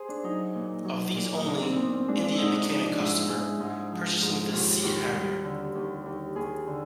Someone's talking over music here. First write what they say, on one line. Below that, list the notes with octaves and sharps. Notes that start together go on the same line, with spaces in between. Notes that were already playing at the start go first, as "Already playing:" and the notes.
Of these only India became a customer, purchasing the Sea Harrier.
Already playing: G#4 C5
D4
F#3 D#4
A#2
F#3
A#2
D#4
A#2 D4
C4
A#2 B3
C4
G#3 D4
D4
G#2 D#4 E4
D4 D#4
F3 D#4
D4
G#2 E4
E4
G#3
G#2
F3
G#2
D#2 F4
D#2 F#4
G3
D3
D#2
D#2
D#2 G#4
D3